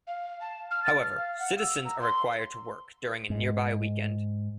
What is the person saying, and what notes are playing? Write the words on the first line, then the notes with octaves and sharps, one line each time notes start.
However, citizens are required to work during a nearby weekend.
F5
A5
F6
A6
F6
F5
F#5
E6
A#5
C6
G#2